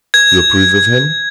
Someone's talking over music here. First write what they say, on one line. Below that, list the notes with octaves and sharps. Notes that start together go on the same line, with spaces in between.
"You approve of him?"
G#6